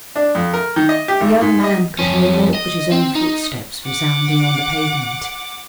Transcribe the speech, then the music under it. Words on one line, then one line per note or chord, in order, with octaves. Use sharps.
The young man could hear naught but his own footsteps resounding on the pavement.
D4
F2
A#4
D#3
D#5
G4
G#1
G#2
D#5
F2 C#4
D#5
C4
D#4
F#5 D6